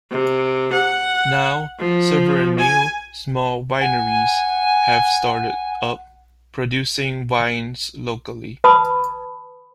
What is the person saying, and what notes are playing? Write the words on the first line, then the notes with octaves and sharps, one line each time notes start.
Now, several new, small wineries have started up, producing wines locally.
C3
F#5
F3
G#5
F#5 G#5
B4 A5 B5 D#6